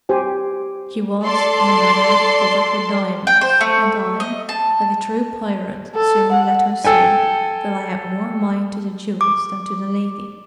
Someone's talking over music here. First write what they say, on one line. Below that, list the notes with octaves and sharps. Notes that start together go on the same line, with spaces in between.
She was, in a manner, covered with diamonds, and I, like a true pirate, soon let her see that I had more mind to the jewels than to the lady.
G4 C5 G#5
A4 D5 C6
G5
C5
A3
D#5
A5
A4
F#5
A4 G5 G#5
D6